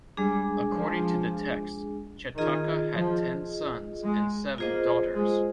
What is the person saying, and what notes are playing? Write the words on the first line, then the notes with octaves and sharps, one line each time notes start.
According to the text, Chetaka had ten sons and seven daughters.
G3 G#3 D4 G#4
F3
D#3 F4 G#4 D#5
F3
G#3
A#3 F4 G#4 C5 D#5
G#3